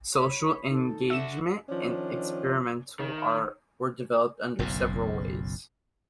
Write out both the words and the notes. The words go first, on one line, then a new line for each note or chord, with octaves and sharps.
Social engagement and experimental art were developed under several ways.
C#5 B5
D#3 A4
D3 F#4 E5 E7
D#3 F3 C#4 D4
D#3
F#1 B1 F#2 A2